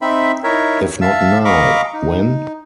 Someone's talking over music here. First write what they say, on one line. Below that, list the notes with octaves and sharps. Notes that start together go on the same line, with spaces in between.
If not now, when?
C4 D#4 E5 B5
D#4 E4 A#4 C#5 E5
E5 F5 A5 E6
D#5 F5 A#5 B5 C#6 D6
D#4